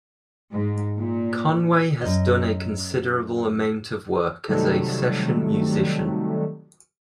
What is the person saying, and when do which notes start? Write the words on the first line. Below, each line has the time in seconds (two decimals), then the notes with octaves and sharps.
Conway has done a considerable amount of work as a session musician.
0.51 G#2
0.96 A#2
2.01 F#2 D#5
4.48 C3 D#3 F#3 G3 A3